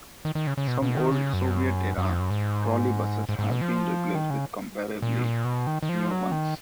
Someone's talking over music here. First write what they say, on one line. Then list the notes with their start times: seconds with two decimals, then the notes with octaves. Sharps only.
Some old Soviet-era trolleybuses have been replaced with comparably new ones.
0.25 D#3
0.35 D#3
0.47 C#3
0.58 C#3
0.68 B2
0.82 B2
0.97 D#3
1.12 C#3
1.33 F#2
1.98 F#2
2.10 F2
2.19 F#2
2.31 G#2
3.29 G#2
3.39 G#2
3.51 B2
3.61 F3
4.15 D#3
4.30 C#3
5.02 A#2
5.19 B2
5.24 A#2
5.45 B2
5.67 D#3
5.83 D#3
5.89 F3
6.11 F#3
6.32 D#3